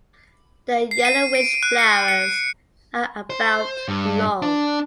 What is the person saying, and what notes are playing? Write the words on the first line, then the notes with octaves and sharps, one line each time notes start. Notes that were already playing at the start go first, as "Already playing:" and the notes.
The yellowish flowers are about long.
C7
D#7
D7
F#6
C#7
C#7
C5
G2
D4